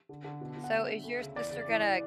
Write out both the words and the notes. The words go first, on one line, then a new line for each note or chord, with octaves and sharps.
So, is your sister gonna
D3
D3
B2
B2
F#5
D3 E5
D3
D2
C#3
E2 D5
C#3
E3
E3